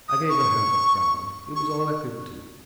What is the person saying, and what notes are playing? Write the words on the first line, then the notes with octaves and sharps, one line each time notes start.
I gave her half-a-crown; it was all I could do.
D#6
C#6
C#6